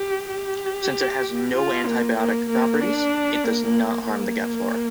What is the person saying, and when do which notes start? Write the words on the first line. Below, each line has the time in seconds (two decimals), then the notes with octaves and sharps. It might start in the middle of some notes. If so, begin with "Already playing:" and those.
Since it has no antibiotic properties, it does not harm the gut flora.
Already playing: G4
0.30 G4
1.56 F4
1.87 A#3
2.18 A#3
2.49 A#3
2.81 D4
3.44 A#3
4.06 A#3